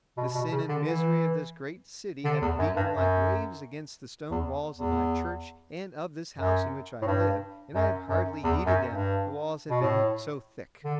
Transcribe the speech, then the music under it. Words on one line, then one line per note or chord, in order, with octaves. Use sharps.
The sin and misery of this great city have beaten like waves against the stone walls of my church and of this house in which I live, and I have hardly heeded them, the walls have been so thick.
B2
B2
C#3
D3
E3
D3
E2
F#2
G2
F#2
E2
E2
F#2
A2
G2
F#2
F#2
E2
F#2
G2
B2
A2
D3